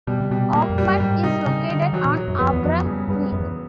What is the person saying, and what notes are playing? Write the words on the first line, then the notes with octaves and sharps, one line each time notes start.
Oakmont is located on Abram Creek.
B2 G3
C3
B2 G3
A#2 A#3
F2
G3
F#2
G#2 G3
C3 D#4
C#3 D#4
D3 D#4
E3 F#3
A#2
F#3
F#2
F2 B3
E2
F2 F#3
G2 C#3
G2 B3
F#2 B3
E2